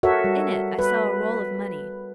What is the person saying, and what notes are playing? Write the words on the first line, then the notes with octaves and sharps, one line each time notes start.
In it I saw a roll of money.
F#4 A4 A#4 C#5 E5
G3
B4